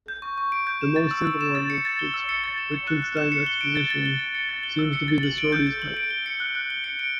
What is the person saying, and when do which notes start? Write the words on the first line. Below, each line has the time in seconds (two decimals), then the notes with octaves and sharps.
The most simple one, which fits Wittgenstein's exposition, seems to be the sorites type.
0.08 G6
0.22 C#6
0.38 C#6
0.52 D7
0.67 G6
0.81 E7
0.96 A6
1.11 E6
1.26 E6
1.41 E7
1.55 A6
1.70 C#7
1.85 A6
1.99 G7
2.14 E6
2.29 C#7
2.44 A6
2.58 E7
2.72 C#7
2.87 F#6
3.02 F#6
3.17 E7
3.32 C#7
3.46 G7
3.61 D7
3.75 A6
3.90 A6
4.06 G7
4.20 D7
4.35 C#7
4.49 A6
4.63 G7
4.79 E6
4.93 C#7
5.08 A6
5.23 F#7
5.38 D7
5.52 G6
5.67 G6
5.82 F#7
5.97 D7
6.11 G7
6.26 C#7
6.40 F#6
6.55 F#6
6.70 G7
6.84 C#7
6.99 D7